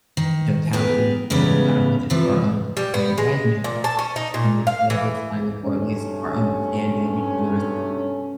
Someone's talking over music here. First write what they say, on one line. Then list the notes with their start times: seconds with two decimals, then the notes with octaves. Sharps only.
in totality with each other, not only just for our own self-aggrandizement, but just in the political climate or at least our understanding of each other as
0.17 D#3
0.73 B3 G4 G#4 A#4
1.30 E2 C#3 G3 B3 C#4
2.10 C3 E3 F3
2.77 G3
2.94 B3
3.18 G#3
3.64 A#2
3.84 A5
3.99 C#4
4.16 D#4
4.34 A#2
4.67 F5
4.90 E3
5.63 B1 G2 C3 A3 C#4